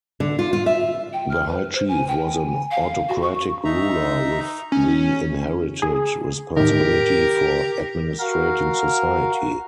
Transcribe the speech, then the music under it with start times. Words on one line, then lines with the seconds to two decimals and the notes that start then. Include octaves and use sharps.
The high chief was an autocratic ruler with the inherited responsibility for administrating society.
0.20 D3
0.39 F4
0.53 F4
0.66 E5
1.13 G5
1.30 F6
1.47 B4
1.74 C5
1.88 G#5
2.08 G5
2.30 G#5
2.71 F5
3.09 F#4
3.21 C#6
3.64 D#4 E5 A#5
4.72 C#4
5.82 G#4
6.57 A2 D#3 G4 A#4
8.20 F#4 A#4 F5